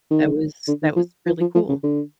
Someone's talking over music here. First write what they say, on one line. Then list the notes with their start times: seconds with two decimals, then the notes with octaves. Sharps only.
that was that was really cool.
0.10 D#3
0.68 D3
0.82 D#3
0.96 F3
1.26 F3
1.41 F3
1.55 F3
1.69 C#3
1.83 D3